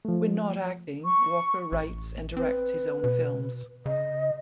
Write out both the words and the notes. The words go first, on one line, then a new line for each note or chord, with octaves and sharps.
When not acting Walker writes and directs his own films.
F3 A3
C#6
A1
C4 B4
B2
C#3 D#5